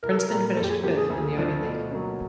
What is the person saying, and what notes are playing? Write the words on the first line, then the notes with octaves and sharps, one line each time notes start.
Princeton finished fifth in the Ivy League.
C2 A#4
A4
A#4
A#2 G3 A#4
F#2 A4
G4
G#4
D3 F3 A#3 G4
G#4
D2
D3 F3 A3 D4
B2
F#3 A#3 C#4